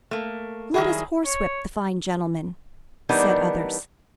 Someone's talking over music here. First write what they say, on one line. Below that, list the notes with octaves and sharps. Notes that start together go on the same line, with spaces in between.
"Let us horsewhip the fine gentleman!" said others.
A3 A#3
D#3 F#3 G3 E4 G#4
C#5
E3 G3 B3 D4 D#4 A#4